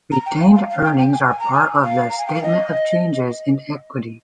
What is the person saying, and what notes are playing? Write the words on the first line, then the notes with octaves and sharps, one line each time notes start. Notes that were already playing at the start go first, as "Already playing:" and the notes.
Retained Earnings are part of the "Statement of Changes in Equity".
A#5
G5
F5
F5
F5
G5
G5
G#5
G#5
A#5
G#5
F5
A#5
G#5
G5
F5
D#5